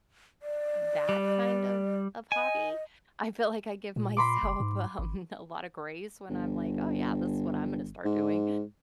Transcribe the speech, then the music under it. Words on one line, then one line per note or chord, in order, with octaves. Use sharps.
that kind of of hobby. I feel like I give myself, um, a lotta grace when I'm like, "Oh, yeah, this is what I'm gonna start doing."
D5
G3
D#5 G#5
A#2
B5 C6 D6
F#1
G#2
G#1
G1
G#2